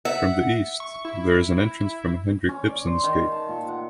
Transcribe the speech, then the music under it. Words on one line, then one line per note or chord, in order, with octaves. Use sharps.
From the east, there is an entrance from Henrik Ibsens gate.
E5 F#5
C#6
E4
C#4
D5
C5
D#3
A5
A#2
F#5